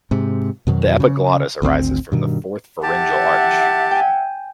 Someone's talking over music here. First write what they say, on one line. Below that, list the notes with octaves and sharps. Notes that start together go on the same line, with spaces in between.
The epiglottis arises from the fourth pharyngeal arch.
G#2 C3
F2 B2 D#3 F#3
C#3
G#1 D2 C#3 C4
G2 B2 D#3
G4 E5 F#5 A5
G5 G#5